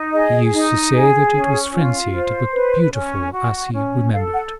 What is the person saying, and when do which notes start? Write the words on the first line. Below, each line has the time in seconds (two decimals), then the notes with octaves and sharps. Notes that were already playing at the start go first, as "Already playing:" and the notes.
He used to say that it was frenzied but beautiful as he remembered.
Already playing: D#4
0.12 G#4 D#5
0.53 D#4
0.93 G#4
1.33 C#4
1.73 F4
2.13 C5
2.53 B4
2.93 C#4
3.33 F#4
3.73 C#4
4.13 A4 F5
4.33 F#5